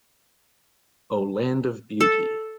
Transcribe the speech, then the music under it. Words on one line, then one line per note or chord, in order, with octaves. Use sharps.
O Land of Beauty!
A4